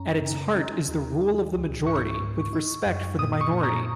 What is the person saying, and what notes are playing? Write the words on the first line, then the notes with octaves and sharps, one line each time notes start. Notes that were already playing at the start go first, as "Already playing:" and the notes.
At its heart is the rule of the majority with respect for the minority.
Already playing: F#2 C#4 A#5
C#3
C#4
D#2
D#4
C#2
G#2 C#6
G#2
D#4
F#2
A#2 D#6
C#6
A#2
A#5